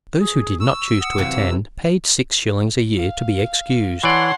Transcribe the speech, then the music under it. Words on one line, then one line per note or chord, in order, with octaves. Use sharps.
Those who did not choose to attend paid six shillings a year to be excused.
G#4
C#6 E6
F#5 D#6
C3 E3 F#3 F5
F5
E3 C#5 D5 F#5 A5 C6